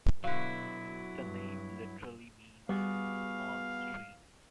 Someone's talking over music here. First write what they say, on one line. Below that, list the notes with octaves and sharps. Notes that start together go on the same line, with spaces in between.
The name literally means "small streams".
B2 D3 F#3 E4 F#4 F5
G2
G3 B3 F#4 G#4 F5